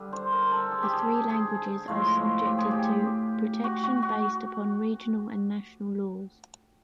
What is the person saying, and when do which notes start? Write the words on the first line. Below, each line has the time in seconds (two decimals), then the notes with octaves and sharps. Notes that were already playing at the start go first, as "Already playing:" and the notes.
The three languages are subjected to protection based upon regional and national laws.
Already playing: D3 G3
0.13 C5
0.32 A#4
0.52 A4
0.72 G#4
0.83 G4
0.93 G#4
1.29 G#4
1.88 A2 F3 G#3
2.46 G4
2.58 G#4
2.71 G4
3.64 F#4
3.83 F#4
4.02 F#4